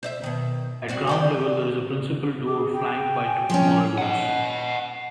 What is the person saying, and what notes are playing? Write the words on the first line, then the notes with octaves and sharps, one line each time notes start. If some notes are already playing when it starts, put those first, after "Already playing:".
At ground level there is a principal door flanked by two smaller doors.
C5 D5 E5
B2 D#3
G3 C4 F#4
G3 G4 D5
G#4 D6
G5
G#5
F3 C#4
D#5 F#5